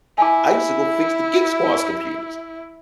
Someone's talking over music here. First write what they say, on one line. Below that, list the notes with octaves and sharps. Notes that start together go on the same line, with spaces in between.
I used to go fix the Geek Squad's computers.
E4 G#5 A5 D6